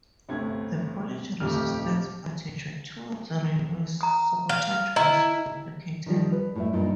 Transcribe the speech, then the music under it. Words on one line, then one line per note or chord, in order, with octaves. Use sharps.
The Polish resistance attitude towards railway sabotage was complicated.
G1 D2 C3 A3 G#6
D#1 F2 A3 D#4 G4 F6
A#5 D#6
F5
E4 D#5 A#5
D#3 F3 G3
B4
A2 G3 E5
G2 A#2 D#4